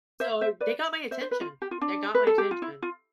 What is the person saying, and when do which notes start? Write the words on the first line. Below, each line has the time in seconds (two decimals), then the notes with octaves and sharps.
so, they got my attention. They got my attention.
0.20 C5 E5
0.41 C5 E5
0.60 B4 D5
1.11 C5 E5
1.21 C5
1.31 B4
1.41 F4
1.62 G4
1.71 F4
1.81 D4
2.15 B4
2.27 A4
2.38 G4
2.51 F4
2.62 E4
2.82 F4